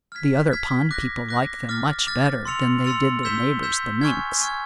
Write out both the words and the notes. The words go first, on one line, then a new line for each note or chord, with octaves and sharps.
The other pond people liked them much better than they did their neighbors, the Minks.
F6 G#6 B6
F6 G#6 B6
D6 F#6 A#6
D6 F#6 A#6
D6 F6 A6
D6 F6 A6
C6 E6 A6 C#7 F7
C6 E6 A6 C#7 F7
E6 G6 B6 E7 G7
E6 G6 B6 E7 G7
G#5 C#6 F6 G#6
G#5 C#6 F6 G#6